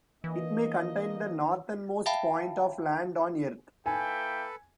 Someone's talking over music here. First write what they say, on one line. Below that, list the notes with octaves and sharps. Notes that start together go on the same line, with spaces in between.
It may contain the northernmost point of land on Earth.
E3 A#3 D4 D#5
E5 F5 G5 A5 B5
A#3 E4 A4 B4 G5 G#5